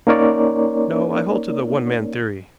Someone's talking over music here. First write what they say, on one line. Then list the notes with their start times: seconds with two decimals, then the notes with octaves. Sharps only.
"No, I hold to the one man theory."
0.07 A#3 C#4 D#4 A#4 C#5 D5